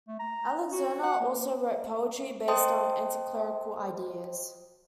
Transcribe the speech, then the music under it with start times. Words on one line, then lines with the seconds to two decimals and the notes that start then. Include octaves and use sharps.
Alxinger also wrote poetry based on anticlerical ideas.
0.08 A3
0.19 A#5
0.72 F#4
1.03 F#5
1.20 A#3
2.48 C5 D#5 G5 A5 C6 D#6